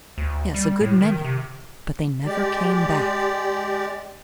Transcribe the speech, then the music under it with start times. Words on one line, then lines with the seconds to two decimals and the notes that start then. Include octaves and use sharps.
Yes--a good many--but they never came back.
0.18 D2
0.54 G3
0.81 A2
1.01 D#3
1.25 C3
2.26 G#3 G4 D5